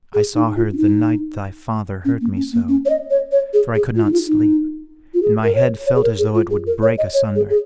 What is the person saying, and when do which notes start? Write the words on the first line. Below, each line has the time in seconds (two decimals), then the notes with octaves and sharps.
I saw her the night thy father hurt me so, for I could not sleep and my head felt as though it would break asunder.
0.14 G#4
0.35 D#4
0.56 F4
0.73 C#4
0.78 D#4
2.05 C#4
2.21 A#3
2.36 C#4
2.53 A#3
2.69 C#4
2.86 C#5
2.90 D#5
3.10 C#5
3.32 C#5
3.54 G#4
3.75 G#4
3.96 F4
4.05 D#4
4.13 F4
4.28 D#4
5.14 F4
5.23 G#4
5.43 A#4
5.55 C#5
5.86 C#5
5.95 G#4
6.03 A#4
6.19 G#4
6.35 F4
6.50 G#4
6.67 A#4
6.82 C#5
6.98 D#5
7.14 C#5
7.36 G#4
7.50 G#4